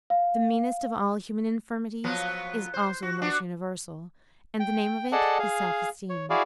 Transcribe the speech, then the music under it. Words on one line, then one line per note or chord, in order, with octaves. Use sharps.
The meanest of all human infirmities is also the most universal; and the name of it is Self-esteem.
F5
F3 F#3 B3
C5
F#4
B3 D4 F#4
G5
G#4 A4 D5 D#5 F#5 A5
G#4 F5
C#5
E4 F#4 G#4 D5 F5